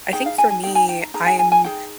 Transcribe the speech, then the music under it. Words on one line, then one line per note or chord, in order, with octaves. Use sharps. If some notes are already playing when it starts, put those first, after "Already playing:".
I think for me, I am
D#4 G#4 G5
F5
G#5
G#5
G#4 G5
D#4
G#5
G5
A#5
D#4 G#4 A#5
G#5
G#5
G#5
D#4 G#4 G5